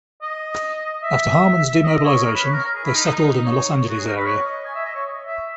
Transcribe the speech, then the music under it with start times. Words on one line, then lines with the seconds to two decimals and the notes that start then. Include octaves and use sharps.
After Harmon's demobilization, they settled in the Los Angeles area.
0.22 D#5
1.03 E5
1.78 E5
1.83 D#5
2.04 C#5
2.23 A#4
2.34 B4
2.44 C#5
2.53 A#4
2.64 A#4
2.74 G#4
2.84 E4
2.94 D#4
3.04 D#4
3.44 C#5
3.89 F#4
3.98 G#4
4.07 A#4
4.16 B4
4.25 C#5
4.45 D#5
4.65 G#5
4.75 E5
4.85 D#5
4.95 C#5
5.26 E5